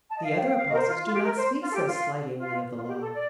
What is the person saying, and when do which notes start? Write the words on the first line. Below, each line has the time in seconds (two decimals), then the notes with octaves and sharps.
The other apostles do not speak so slightingly of the Law.
0.10 A5
0.17 D#5
0.23 F5
0.36 G5
0.43 F5
0.49 G5
0.58 F5
0.68 D#5
0.73 A#4
0.76 C5
0.87 F4
1.05 F4
1.14 G4
1.25 A#4
1.36 C5
1.62 F4
1.70 A4
1.74 G4
1.87 F4
2.37 F4
2.76 F4
2.88 G4
3.01 A4
3.14 D5